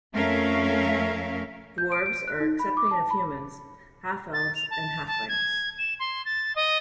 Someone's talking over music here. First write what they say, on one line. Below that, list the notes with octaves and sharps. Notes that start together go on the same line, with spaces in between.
Dwarves are accepting of humans, half-elves and halflings.
F2 A3 C#4 A#4 E5 F5
G6
D7
D7
F#6
D#4
B5
D6
A5
B5
A6
F7
A5
A5
G#6
E7
C6
A6
D#5